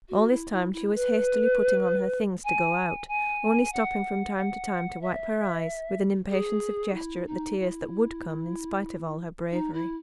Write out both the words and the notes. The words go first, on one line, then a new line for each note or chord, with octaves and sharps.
All this time, she was hastily putting on her things to go out, only stopping from time to time to wipe her eyes, with an impatience of gesture at the tears that would come, in spite of all her bravery.
F#4
E4
E4
E4
B4
G#5
G#5
F#5
F#5
E5
G#4
E4
D#4
E4
D#4
E4